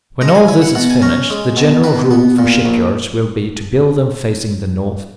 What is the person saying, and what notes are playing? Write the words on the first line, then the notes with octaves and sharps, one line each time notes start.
When all this is finished, the general rule for shipyards will be to build them facing the north.
G#3 A#5
F#5
G#5
E4 G#5
F#5
B2 F#5
G#5
C#4 A#5
G#3
B2
B2 B4
B3
A#2
A#1